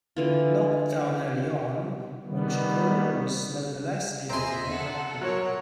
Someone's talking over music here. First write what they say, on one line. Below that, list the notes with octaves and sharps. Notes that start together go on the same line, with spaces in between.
Knocked down early on, Monshipour was nevertheless able to make up ground.
D3 E3 F4
D#3 G3 B3
E2 C4 G#4 D#5 E5 A#5 C6
A4 F#5
F#3 A#4 C#5